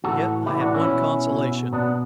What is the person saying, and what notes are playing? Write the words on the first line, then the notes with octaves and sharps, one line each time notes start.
Yet I had one consolation.
A2 E3 F#4 A4
A2 E3 E4 G4
D4 F#4
C#4 E4
B2
B2
B2 B3 D4